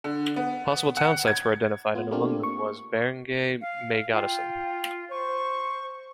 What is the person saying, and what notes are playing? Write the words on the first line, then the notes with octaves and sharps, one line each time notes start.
Possible town sites were identified and among them was Barangay Maygatasan.
D3
B3
F#5
G#6
B3 F4
A3 A#3 C4 D4 F4 G4
C#6
F5
F4 G5
C5 C#6